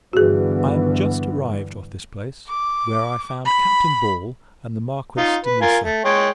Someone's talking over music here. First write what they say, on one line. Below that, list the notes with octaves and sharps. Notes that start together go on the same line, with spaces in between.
I am just arrived off this place; where I found Captain Ball, and the Marquis de Niza.
G2 D3 E3 B3 F#4 G#4
D6
B5
D#4 F4
B4
F4 A#4 G#5
A3
G#3 C#5 G5